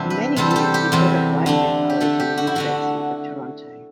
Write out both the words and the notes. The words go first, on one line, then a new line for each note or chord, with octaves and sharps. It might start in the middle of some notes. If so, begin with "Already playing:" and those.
For many years he taught at Wycliffe College in the University of Toronto.
Already playing: E2 C3 G3 C4 D4 E4
B4
E2 C3 G3 C4 A4
A4
G4
G4
E2 C3 G3 C4
D3 A3 D4
G4
D3 A3 D4 A4
G4
F#4
E4
D3 A3 D4 F#4